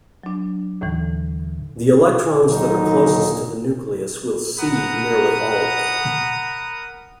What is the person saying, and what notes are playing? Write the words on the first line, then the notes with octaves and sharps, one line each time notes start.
The electrons that are closest to the nucleus will 'see' nearly all of them.
F#3 D4
D#2 A2 D3 E3
D#2 A#2 D3 F#3 D#4
A#4 F#5 A#5 B5 D#6